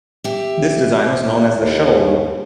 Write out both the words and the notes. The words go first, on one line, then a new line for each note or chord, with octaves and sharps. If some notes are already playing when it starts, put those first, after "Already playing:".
This design was known as the Shuttle Loop.
G4 E5
D#2